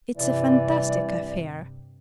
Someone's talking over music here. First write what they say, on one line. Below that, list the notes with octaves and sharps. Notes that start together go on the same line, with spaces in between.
It's a fantastic affair.
G2 C3 E3 D5